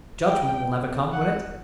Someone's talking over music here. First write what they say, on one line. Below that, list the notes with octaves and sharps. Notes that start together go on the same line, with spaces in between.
Judgment will never come, will it?
G5
F#5